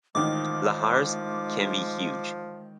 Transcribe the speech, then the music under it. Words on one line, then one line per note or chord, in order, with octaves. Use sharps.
Lahars can be huge.
A1 D#3 F3 G#3 D6